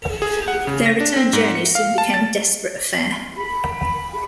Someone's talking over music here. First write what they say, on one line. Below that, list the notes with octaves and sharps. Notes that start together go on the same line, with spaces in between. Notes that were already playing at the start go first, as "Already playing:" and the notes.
Their return journey soon became a desperate affair.
G#4
F#5
C#3
A#6
D4
C4
G#2
C#7
F5
A5
A6
B5